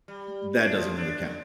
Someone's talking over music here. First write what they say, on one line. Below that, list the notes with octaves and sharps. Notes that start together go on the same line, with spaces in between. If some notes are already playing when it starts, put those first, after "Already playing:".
that doesn't really count.
G3
D4
F3
D4
D3